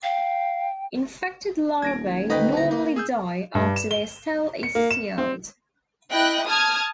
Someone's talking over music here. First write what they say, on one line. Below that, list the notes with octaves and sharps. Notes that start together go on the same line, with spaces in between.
Infected larvae normally die after their cell is sealed.
F5 G5
D#1 G#6 A#6 D7
D2 D#4 B4 D#5 G5 B5
D2 A#5
A#3
G#4 E6 G6
G2
E7
G7
C#7
A#3
E7
C4
E4 D#5 G5 F#6
A5 D#6 F6 G#6